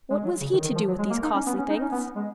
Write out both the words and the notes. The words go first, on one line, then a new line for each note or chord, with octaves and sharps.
What was he to do with these costly things?
G#3
F#3
C#3
D#3
D#3
F3
F#3
G#3
A#3
D#4
C#4
B3
C#4
D#4
C#4
B3
G#3